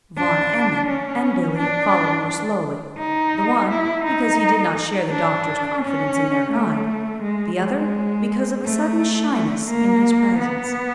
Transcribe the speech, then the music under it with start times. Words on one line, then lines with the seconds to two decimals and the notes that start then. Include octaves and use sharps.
Van Emmon and Billie followed more slowly; the one, because he did not share the doctor's confidence in their guide; the other, because of a sudden shyness in his presence.
0.17 D4
0.87 C#4
1.59 D4
2.99 D#4
3.70 E4
4.05 D#4
5.10 D4
5.82 C#4
6.52 A3
7.23 G#3
7.58 G#3
8.64 A3
9.34 A3
9.70 A#3
10.39 B3